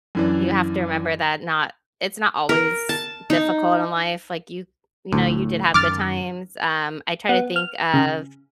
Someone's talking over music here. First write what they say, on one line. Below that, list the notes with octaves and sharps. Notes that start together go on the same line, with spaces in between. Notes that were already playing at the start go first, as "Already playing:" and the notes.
you have to remember that not it's not always difficult in life. Like, you you know, you did have good times. Um, I try to think of
F#2 E3 D4
A#4
A5
D#4
D2 A2
F#2 D#3 D6 F6 A6
B3
F6
C#3